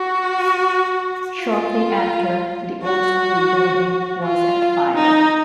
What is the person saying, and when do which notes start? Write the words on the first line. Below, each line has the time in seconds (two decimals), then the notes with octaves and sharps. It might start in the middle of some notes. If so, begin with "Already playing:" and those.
Shortly after, the old school building was at fire.
Already playing: F#4
1.41 F4
2.83 F#4
4.23 F4
4.94 D#4